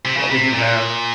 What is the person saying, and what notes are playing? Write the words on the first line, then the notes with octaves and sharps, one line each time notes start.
What would you have?
C3
C#3
C3
A#2